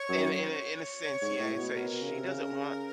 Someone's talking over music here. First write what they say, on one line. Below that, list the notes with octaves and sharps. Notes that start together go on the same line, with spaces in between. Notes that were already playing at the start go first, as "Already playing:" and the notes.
In a in a in a sense, yeah, it's, uh she doesn't want
Already playing: C#5
F#2
C#5
C5
C#5
G#2
A2
B2
B2 A#4
B2
C#3
C3
C3
C#3